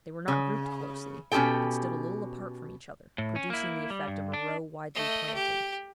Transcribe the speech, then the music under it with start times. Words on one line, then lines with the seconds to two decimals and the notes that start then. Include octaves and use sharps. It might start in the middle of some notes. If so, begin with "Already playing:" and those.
They were not grouped closely, but stood a little apart from each other, producing the effect of a row widely planted.
0.28 C#3
1.32 B2 C#4 D#4 G4 A4 G5
3.18 A2
3.36 C#4
3.50 A#3 E4
3.90 G3
4.08 G2
4.34 D4
4.94 A3 D#5
5.34 G4